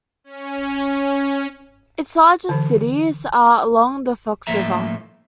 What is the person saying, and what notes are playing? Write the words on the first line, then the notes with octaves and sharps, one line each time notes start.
Its largest cities are along the Fox River.
C#4
D3 E3
A2 F3 A#3 A4 E5 A#5